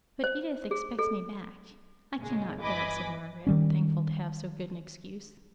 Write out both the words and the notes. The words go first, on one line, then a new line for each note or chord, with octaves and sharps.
'But Edith expects me back--I cannot go,' said Margaret, thankful to have so good an excuse.
C5
G#4
A4
G2 A#2 C#3 G#3
G1 E3 D#5 G#5 B5 D6
D#3 G3 C#4